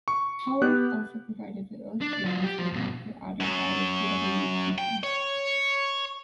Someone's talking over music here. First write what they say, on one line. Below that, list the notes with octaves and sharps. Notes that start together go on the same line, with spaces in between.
Howarth also provided the illustrations for "Doctor Adder" by K. W. Jeter.
C#6
B3 G4 F#6
D4
D5
F#3 F4
G4
F3
G2 B2
F#2 F#3
G5
C#5